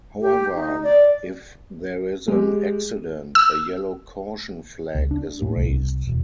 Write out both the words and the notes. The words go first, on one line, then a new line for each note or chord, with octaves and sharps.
However, if there is an accident, a yellow caution flag is raised.
G4
D#4
D5
G#3 G4
E6
C#2
D4
A2
C2
C2
E1